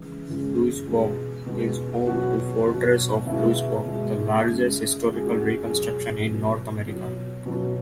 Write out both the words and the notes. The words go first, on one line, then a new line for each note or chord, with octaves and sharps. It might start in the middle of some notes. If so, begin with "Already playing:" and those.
Louisbourg is home to Fortress of Louisbourg, the largest historical reconstruction in North America.
Already playing: C#3 E3 G#3
C#3 E3 G#3
B2 G#3 G#4
B2 G#3
B2 F#3 F#4
B2 F#3
B2 G#3 E4
E4
B2 G#3
C#3 G#3
C#3 G#3 F#4
G#4
F#4
B2 F#3 G#4
B2 F#3
B2 F#3
B2 F#3